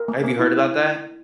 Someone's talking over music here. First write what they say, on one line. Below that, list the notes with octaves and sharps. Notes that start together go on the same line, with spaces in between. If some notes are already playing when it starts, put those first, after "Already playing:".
have you heard about that?
Already playing: A#4
A#3
A#3
E4